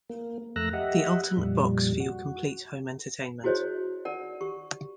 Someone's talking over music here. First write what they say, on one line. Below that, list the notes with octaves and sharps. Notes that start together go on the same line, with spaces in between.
The ultimate box for your complete home entertainment.
A#3
F2 A3 A#5 E6 F#6 A#6
G4 D#5 E5 F#5
F2 A#2 G3
F#4
E4 F#4 G#4 C5 C#5 D#5
D#4 A#4 D5 F#5
G4 C#6